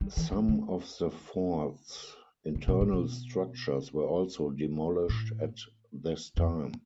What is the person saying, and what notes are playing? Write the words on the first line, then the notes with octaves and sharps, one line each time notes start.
Some of the fort's internal structures were also demolished at this time.
G3
E3
F3
D3
C3
B2
A2
B2
A2
F2